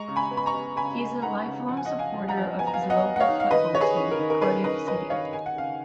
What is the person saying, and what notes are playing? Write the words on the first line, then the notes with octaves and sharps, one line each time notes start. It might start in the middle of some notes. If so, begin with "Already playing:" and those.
He is a lifelong supporter of his local football team Cardiff City.
Already playing: G#3 A#5 C#6
C#3
G#5 B5
B3
B5
A#5 C#6
B3
C#3 G#5 B5
G#3
D#4 F#5 A#5
C#3
F3 F#5
G#5
D#5 F#5
F3
F5 G#5
F3
F#5 A#5
F3
B3 G#5
A#5
F5 G#5
B3
D#5 F#5
B3
F#5
C#5 F5
D#4
F5
D#3 B4 D#5
D#3 C#5
G#4 B4
C#4
A#4
D#3
A#4
C#4 G#4 B4
D#3 B4 D#5
D#3 B4 D#5
D#3 C#5 F5
D#4 G#5
F#5
C#3 F5